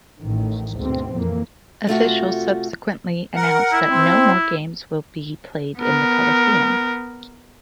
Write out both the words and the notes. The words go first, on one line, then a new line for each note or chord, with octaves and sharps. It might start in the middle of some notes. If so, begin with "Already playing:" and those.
Officials subsequently announced that no more games will be played in the Coliseum.
A1 A2 D#3
D2 G#2 B2 C4
F2 A#2 E3 A#3
C3 A3 F4 F#4
A#4 F#5
E4
C4
B3 A#4